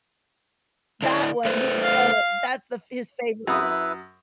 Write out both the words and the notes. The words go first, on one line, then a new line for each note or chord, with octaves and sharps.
That one, he i i uh, that's the f his favorite one.
D3 D4 E4
A3 B4 C5
F5
F#2 E4 B4 D#6